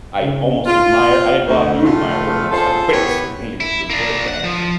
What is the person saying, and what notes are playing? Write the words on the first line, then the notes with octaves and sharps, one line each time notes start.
I almost admire I well, I do admire her in a lot of ways for being able to avoid that, but
C#3
F4
D2
A2 C#3 A3 F4
F4 G#4 A4 C5
B3 E4 G4 B4 C#5
E4
A#3 D4
F#5
F3